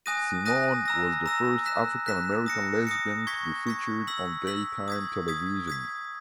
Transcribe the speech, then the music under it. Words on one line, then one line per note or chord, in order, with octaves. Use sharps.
Simone was the first African-American lesbian to be featured on daytime television.
G#5 D#6 F#6 A#6 D#7
G#5 D#6 F#6 A#6 D#7
A#5 E6 A#6
A#5 E6 A#6
F#6 B6 E7
F#6 B6 E7
D#6 A#6 C#7
D#6 A#6 C#7
C#6 G#6 B6
C#6 G#6 B6
E6 B6 F#7
E6 B6 F#7
D#6 G#6 B6
D#6 G#6 B6
D#6 G#6 B6